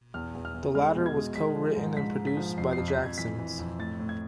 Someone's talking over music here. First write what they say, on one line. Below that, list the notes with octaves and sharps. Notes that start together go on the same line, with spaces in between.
The latter was co-written and produced by The Jacksons.
E2 F6
E2
F6
E2
G#3 F6
B2
G#6
G#3
G#3 B6
F3
G#2
G#2 B6
G#2
B6
F3
F2 C7
C7
F2
B6
F2
G#6
E3 B6
E3
F2
A2 A6
A2
G#6